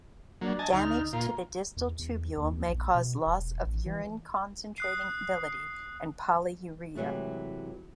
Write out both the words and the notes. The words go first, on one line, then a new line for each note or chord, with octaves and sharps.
Damage to the distal tubule may cause loss of urine-concentrating ability and polyuria.
F#3 A#3 D4
D#5 G#5 A5
D2 D#4 F6
A#2 F4 A#5
E2
E2
D#2
D#2
A#1
B2
E1
A1
E3
D#6 F#6 C7
C3 E3 F#3 G#3 A3